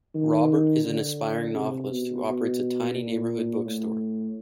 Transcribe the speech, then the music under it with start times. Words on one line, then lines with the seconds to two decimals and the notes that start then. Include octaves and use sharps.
Robert is an aspiring novelist who operates a tiny neighborhood bookstore.
0.15 D#3
0.85 D3
1.55 C3
1.90 B2
2.25 B2
2.95 A#2
3.65 A2